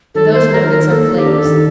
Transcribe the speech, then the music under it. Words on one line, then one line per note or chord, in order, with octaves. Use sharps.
And those nuggets are plays.
D#3 A4
A#3 C5
D#3 A#4
D#3 A#4
A#3 A4
D#3
A4
G4
D4
A4
D#3